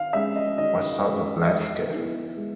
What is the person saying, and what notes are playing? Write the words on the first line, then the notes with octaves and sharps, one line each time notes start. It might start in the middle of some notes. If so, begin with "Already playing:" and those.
What sort of landscape?
Already playing: D#3 F5
G#3 C#4 E5
D#5
D#3 D#5
G#3 C#4
D#5
G#3 E5
B3 E4 G#4
G#3